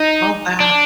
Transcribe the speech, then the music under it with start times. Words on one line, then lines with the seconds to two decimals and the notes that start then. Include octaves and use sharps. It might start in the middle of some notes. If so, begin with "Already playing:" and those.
Oh, wow.
Already playing: D#4
0.60 D4